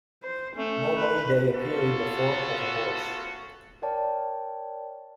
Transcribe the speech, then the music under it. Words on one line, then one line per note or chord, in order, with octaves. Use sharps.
Normally, they appear in the form of a horse.
C5
A3 C#4
B4
A3 B3 C#4 F4 F#4 A4
A#4 C#5 D5 G5 A5